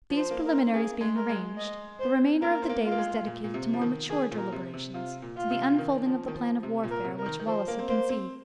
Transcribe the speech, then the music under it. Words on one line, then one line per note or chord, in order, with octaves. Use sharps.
These preliminaries being arranged, the remainder of the day was dedicated to more mature deliberations--to the unfolding of the plan of warfare which Wallace had conceived.
F3
C5
A#3
A#4
C4
A#3 G#4
G#3
A#4
G#3
D#5
C5
A#3 A#4
C4
A#3
F4
A#3
G#3
A#2
A#2
C3
F3
D#3
D#3 G#4
A#2
A#4
C3
C3
C3 F4
A#2
F4
C3
D#3
F3
D#3
F3
C3
A#2
A#4
C3
A#4
D#3
D#3
F3 C5
A#3
C4
A#3 C5
C4